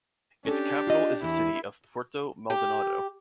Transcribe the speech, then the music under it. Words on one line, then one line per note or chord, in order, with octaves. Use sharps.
Its capital is the city of Puerto Maldonado.
C#4 D4 G4 A4
F4 D#5
E2 E3 E4
G4